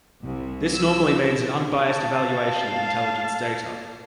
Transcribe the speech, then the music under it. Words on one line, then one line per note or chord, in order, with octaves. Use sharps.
This normally means an "unbiased evaluation" of intelligence data.
C2
E6
A5
F5